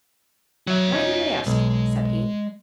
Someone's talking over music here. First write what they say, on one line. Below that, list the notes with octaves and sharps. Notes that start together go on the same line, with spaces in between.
"Why do you ask!" said he.
F#3 F#4 E5
C#4 D#4
B1 G#3